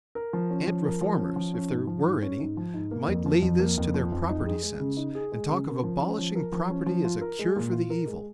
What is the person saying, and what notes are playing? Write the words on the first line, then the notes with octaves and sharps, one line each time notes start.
Ant reformers, if there were any, might lay this to their property sense, and talk of abolishing property as a cure for the evil.
A#4
F3
C#4
F3
A#4
F3
C#4
F3
C#4
G#2
F3
G#2
C#4
G#2
F3
G#2
A#3
F2
F3
F2
A#3
F2
F3
F2
D#4
G#4
G#3
C#3
D#4
G#4
G#3
C#3
A#4
F3
C#4
F3
A#4
F3
C#4
F3
F4
A#4
G#3
A#2
F4
A#4
G#3